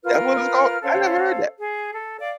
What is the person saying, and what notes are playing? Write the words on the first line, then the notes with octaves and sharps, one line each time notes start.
That's what it was called? I never heard that.
F4 A#4 B4 F6
C#4 A4 C5 F5
G#4
A4
D5 F5